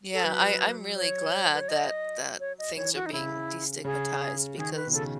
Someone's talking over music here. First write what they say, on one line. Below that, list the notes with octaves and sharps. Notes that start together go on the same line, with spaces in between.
Yeah, I I'm really glad that that things are being destigmatized because,
A4
F#3 B4
C#5
B4
C#5
D#5
C#5
D#5
E3 C#5
F#4
D#4
C#3 E4
C#3 G#4
D#3 G#4
B4
B2
C#3 A4